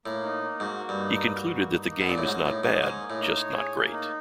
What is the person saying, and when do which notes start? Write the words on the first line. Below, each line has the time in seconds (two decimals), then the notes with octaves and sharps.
He concluded that The game is not bad, just not great.
0.06 A2 A#3
0.24 D#4
0.43 A#3
0.60 G#2 F#4
0.79 A#3
0.89 G2
0.98 D#4
1.16 A#3
1.35 F#4
1.53 A#3
1.72 D#4
1.90 A#3
2.01 B2
2.08 A#2 F#4
2.18 A2
2.27 G#2 A#3
2.45 A2 D#4
2.63 G#2 C#5
2.82 G#2 G#4
3.00 A#3
3.10 A2
3.19 D#4
3.37 C#5
3.56 G#4
3.74 A#3
3.93 D#4